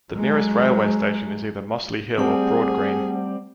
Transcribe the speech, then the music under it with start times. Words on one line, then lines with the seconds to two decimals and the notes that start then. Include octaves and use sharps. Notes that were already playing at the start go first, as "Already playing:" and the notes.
The nearest railway station is either Mossley Hill or Broadgreen.
0.12 F#3 G#3
2.18 G3 A3 C4 G#4 F#5